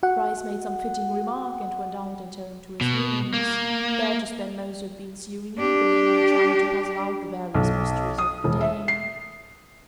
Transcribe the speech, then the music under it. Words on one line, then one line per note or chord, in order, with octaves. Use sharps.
Bryce made some fitting remark and went out and home to his rooms--there to spend most of the ensuing evening in trying to puzzle out the various mysteries of the day.
F#4 F#5
B2
A#3
D4 G4
B1
D#6
E1
E5
C7